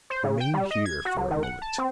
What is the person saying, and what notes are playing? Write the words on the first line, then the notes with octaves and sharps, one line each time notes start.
"Remain here for a moment."
C5
C#3
G5
G3
D#5
G#6
F#4
F#3
D#3
F#5
A5
C4